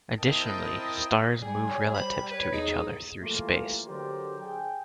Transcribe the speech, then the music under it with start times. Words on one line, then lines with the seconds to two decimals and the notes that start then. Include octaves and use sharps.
Additionally, stars move relative to each other through space.
0.17 C4 E4 A#4 D#5 G5 A5
1.42 G3 G#4
1.68 C#5
1.94 C5 B5
2.31 B4 C#5
2.53 E2 D#4 G#4
3.22 E3 G3 A3 A#3 F4
3.86 D3 F#3 G4 A#4 C5 D5
4.42 G#4 G5